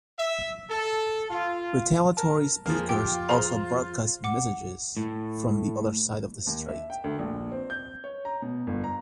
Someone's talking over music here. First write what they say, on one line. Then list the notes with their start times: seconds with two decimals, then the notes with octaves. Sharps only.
Retaliatory speakers also broadcast messages from the other side of the Strait.
0.19 E5
0.69 A4
1.30 F4
2.17 A#4 A5
2.66 F2 F3 G#3 A#3 G#4
2.89 F4 G4 G5
3.29 G#4 C5 F5 A#5 C6
4.24 F#5 D6
4.97 A2
6.47 D#2
6.69 E5
6.90 G5
7.04 D2
7.19 A#1
7.52 C4
7.70 G6
8.04 C#5
8.25 A#5
8.42 B2
8.67 G1
8.84 A#5